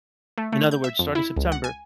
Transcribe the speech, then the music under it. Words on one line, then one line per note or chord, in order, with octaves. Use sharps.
in other words, starting September,
A3
A3
G6
E5
F2
E4
C#2
F#5
G#5